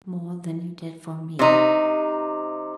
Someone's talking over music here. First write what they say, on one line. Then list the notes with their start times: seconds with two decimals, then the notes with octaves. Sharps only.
"More than you did for me?"
1.39 C3 D#4